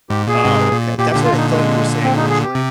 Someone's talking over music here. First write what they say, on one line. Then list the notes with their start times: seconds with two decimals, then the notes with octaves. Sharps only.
Oh, okay. That's what I thought you were saying originally.
0.09 G#2 G4
0.27 A#2 G#4
0.45 G#2 C3
0.72 A#2
0.98 A#2 G4
1.11 A#2 D3 G4
1.24 F4
1.33 A#2 D3 D#4
1.51 G#3
2.04 C4
2.16 D#4
2.29 G#4
2.43 G4
2.55 C3